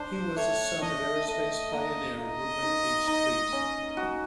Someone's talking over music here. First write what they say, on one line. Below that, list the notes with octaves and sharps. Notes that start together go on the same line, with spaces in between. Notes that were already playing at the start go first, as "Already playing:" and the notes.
He was a son of aerospace pioneer Reuben H. Fleet.
Already playing: D4 C5
A3 C#5
D4 D#5
A3 D#5
A#3 D#5
A#3 D#5
D#4
D#4
C#4
F#4